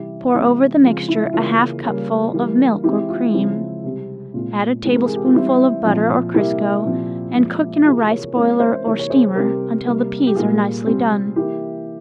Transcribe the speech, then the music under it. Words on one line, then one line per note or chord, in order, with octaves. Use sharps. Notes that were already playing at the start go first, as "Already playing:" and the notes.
Pour over the mixture a half cupful of milk or cream; add a tablespoonful of butter or crisco, and cook in a rice boiler or steamer until the peas are nicely done.
Already playing: C3 E3 G3 E4 G4
C3 E3 G#3 C4
C#3 F3 G#3 C4 F4
E4
C#3 E3 A#3 F4
C#3 G3 A#3
E3 G3 A#3
E3 G#3 C4 E4 G4
F4
C#3 F3 G#3 C4 E4
C3 G3 C4
A#2 G#3 C4 F4
C3 E3 G#3 C4
A#4
G#4
G4
F4
E3 G3 C4 E4
A#2 F3 C4
C3 G3 A#3 E4 G4
A#2 F3 C4
A#2 F3 G#3 C4
C3 E3 A#3 F4 G#4
A#4 C#5
E3 G#3 C4 A#4 C#5
C5 E5
C3 E3 A#3 A#4 C#5
C#5
G#4 C5
C3 G3 C4 G4 A#4
C3 G3 A#3
G4
A#2 G3 A#3 F4 G#4
C3 G3 C4
E3 A#3 E4 G4